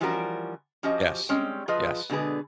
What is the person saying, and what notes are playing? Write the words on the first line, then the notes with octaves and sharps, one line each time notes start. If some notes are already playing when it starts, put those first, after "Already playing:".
Yes, yes.
E3 F3 G3 C#4 F#4 A#4
F3 C#4 F#4 G4 C5 D#5
G3 G#3 C4 C#4
F3 F4 G#4 B4 D#5
B2 D3 G#3 G#4 B4